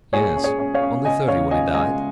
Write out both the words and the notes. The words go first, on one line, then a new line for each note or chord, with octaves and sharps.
"Yes; only thirty when he died."
A#2 G#4 C#5
C#4
G#4 C#5
C#4
C#5 F5
C#4
C#3 D#5 G#5
C#3 C#5 F5
F4 D#5 G#5
G#3 D#5 G#5